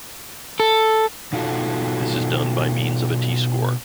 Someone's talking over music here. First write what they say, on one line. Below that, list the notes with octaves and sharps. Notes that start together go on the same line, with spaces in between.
This is done by means of a t-score.
A4
B2 D#4 F4 F#4 A4